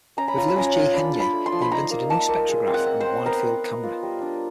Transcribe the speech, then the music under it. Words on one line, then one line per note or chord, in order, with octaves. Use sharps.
With Louis G. Henyey he invented a new spectrograph and a wide-field camera.
C#4 A#5
B5
F4 A#5
B5
C#4 A#5
F4
D4 B5
D4
B5
A3
C6
F3
B5
D#4 A#5
A#3
A#3 A5
A#3
G#3
C4
F#5
C4
C5
C4
B3 A#4
B3
B3
F4
G3
D4